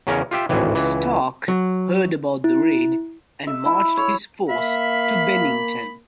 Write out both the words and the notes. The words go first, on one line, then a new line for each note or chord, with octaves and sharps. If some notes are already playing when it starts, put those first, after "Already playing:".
Stark heard about the raid and marched his force to Bennington.
E2 C#3 C#4 A#4
F4 G4 E5 G5
G#1 D2 A2 E3
C#2 E3
F#3
E4
E5
E4
C#5
A#3 E5 F5 B5